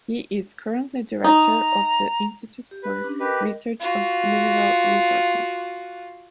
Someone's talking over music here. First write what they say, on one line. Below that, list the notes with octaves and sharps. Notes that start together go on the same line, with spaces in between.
He is currently director of the institute for research of mineral resources.
D#4 A#5
G4
B4
C#4 D4 G4
G4 A#4 B4 D#5
F4 F#4